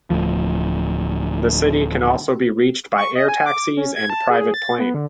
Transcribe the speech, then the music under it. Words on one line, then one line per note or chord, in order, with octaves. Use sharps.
The city can also be reached by air taxis and private plane.
D1 D2 F3
C#6
D#5
G#5
D6
C#4
G#6
A5
G#4
A6
B3
D3